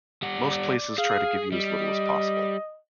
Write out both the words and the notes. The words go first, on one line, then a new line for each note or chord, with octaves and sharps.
Most places try to give you as little as possible.
G3 D5 F#5
G#4 F5
G3 D#5